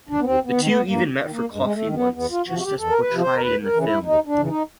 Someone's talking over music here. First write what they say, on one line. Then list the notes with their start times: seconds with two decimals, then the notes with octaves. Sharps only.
The two even met for coffee once, just as portrayed in the film.
0.09 D4
0.20 B3
0.25 D#2 C4
0.45 B3
0.57 D#3
0.63 C4
0.67 B3
0.88 G2 A#3
1.20 D#3
1.31 A#3
1.52 G2 G#3
1.62 G#3
1.73 A3
1.84 D#3
1.94 B3
2.15 E2 B3
2.31 F4
2.47 C3 F3 F#4
2.59 F#4
2.63 G4
2.78 E2 A4
2.90 A#4
3.00 B4
3.10 C3 F3
3.21 C5
3.36 A#4
3.41 D#2 B4
3.64 A#4
3.73 C#3 E3
3.84 E4
4.05 D#2 D#4
4.27 D4
4.37 C#3 E3
4.48 D#4